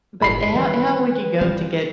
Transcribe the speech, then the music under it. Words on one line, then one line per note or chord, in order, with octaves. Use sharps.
But ho how would you go to get
G1 A2 B5 C7
D#3 E3 G3 B4
E3 G3 C4